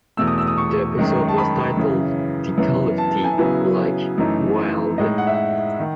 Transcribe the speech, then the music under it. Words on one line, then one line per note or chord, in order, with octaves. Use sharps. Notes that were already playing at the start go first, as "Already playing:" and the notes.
The episode was titled "The Call of the, Like, Wild".
E2 B2 A3 E6
D#6
E6
D#6
C#6
F#2 D#3 G#3
A5
B5
F#2 C#3 E3
F#2 E3 B3
A5
A5
G#5
C#3 F#3 B3 E4
F#2 E3 A3 D#4
A2 G#3 D#4 D#5
F#5
E5
F#5
D#3